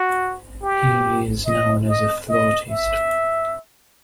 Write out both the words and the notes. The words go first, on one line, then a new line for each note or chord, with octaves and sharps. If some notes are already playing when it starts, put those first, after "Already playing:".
He is known as a flautist.
Already playing: F#4
G4
D#5
D#5
D#5
E5